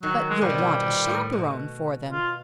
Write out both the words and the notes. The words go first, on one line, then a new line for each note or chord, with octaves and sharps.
"But you'll want a chaperone for them."
D#3 F#3
G#3
B2 G3
C3
B2
A#2
A2
B2
F4